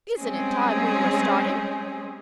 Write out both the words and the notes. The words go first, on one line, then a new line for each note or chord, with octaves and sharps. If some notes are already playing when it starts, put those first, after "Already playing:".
"Isn't it time we were starting?"
G3 G#3 C4 C#4 G#4